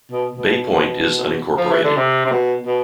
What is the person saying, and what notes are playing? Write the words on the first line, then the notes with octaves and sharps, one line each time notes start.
Bay Point is unincorporated.
B2
B2
F3
E3
D3
C3
C3
B2
B2